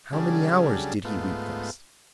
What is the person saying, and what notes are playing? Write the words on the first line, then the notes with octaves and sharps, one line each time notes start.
How many hours did he weep thus?
C#3 F#3 G3 D4 G#4 A4
G#2 A3 B3 F4